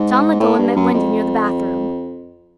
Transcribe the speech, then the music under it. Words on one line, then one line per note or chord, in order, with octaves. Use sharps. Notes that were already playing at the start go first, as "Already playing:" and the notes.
John let go and met Wendy near the bathroom.
Already playing: G#2
A2
G2
F#2
F2